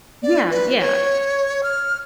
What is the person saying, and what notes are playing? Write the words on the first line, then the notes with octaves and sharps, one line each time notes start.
Yeah, yeah.
D5
B4
C#5
F6